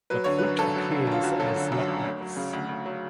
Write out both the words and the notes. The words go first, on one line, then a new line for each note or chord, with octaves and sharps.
The fruit appears as nutlets.
F#3 B4
D3 C#5
F#2 B4
G#1 A4
F#3
D3
F#2 F4
G#1 F#4
F#3 A4
D3
F#2
G#1
D2
F#3
C#3
D2
D2
F#3